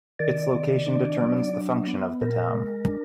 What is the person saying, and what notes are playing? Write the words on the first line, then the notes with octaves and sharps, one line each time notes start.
Its location determines the function of the town.
D#3 D5
D#3
D4
F#3
D4
B3
A#2 A#4
G#3
D4